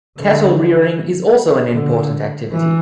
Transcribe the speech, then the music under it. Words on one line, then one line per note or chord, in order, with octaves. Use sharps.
Cattle rearing is also an important activity.
D3
D3
E3